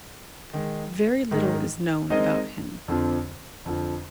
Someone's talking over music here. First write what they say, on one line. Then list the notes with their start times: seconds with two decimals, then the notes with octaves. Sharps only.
Very little is known about him.
0.53 D#3 G#3 D#4
1.31 G#2 D#3 G#3 D#4
2.10 G#3 C4 D#4 A#4 D#5
2.88 F2 D3 F3 C4
3.65 F2 D3 F3